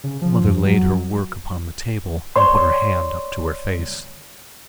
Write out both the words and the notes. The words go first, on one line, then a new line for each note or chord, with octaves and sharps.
The mother laid her work upon the table, and put her hand up to her face.
C#3
F3
F2
F#3
C#5 D5 C6